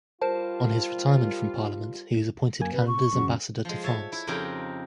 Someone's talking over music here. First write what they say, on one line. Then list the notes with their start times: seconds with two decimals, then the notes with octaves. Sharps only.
On his retirement from Parliament, he was appointed Canada's Ambassador to France.
0.21 G3 F4 A#4 C5 A5
2.60 F#2 A#3 G#5
2.73 C3 B4
2.87 C#6
3.13 F#2 C#3 F#4
3.65 F3 G#3
3.84 C#5 E5 A5
4.12 E4
4.27 F2 C#3 C4 D#4 G4 A#4